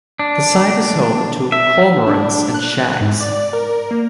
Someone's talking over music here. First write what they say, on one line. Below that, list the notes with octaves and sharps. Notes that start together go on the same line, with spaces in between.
The site is home to cormorants and shags.
D4
E5
D4
F#6
G#2
D5
A#4
A#4
A#3